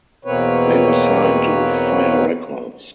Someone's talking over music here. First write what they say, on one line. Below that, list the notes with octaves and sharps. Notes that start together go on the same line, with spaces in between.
They were signed to Fire Records.
E2 B2 A#3 C4 B4 C#5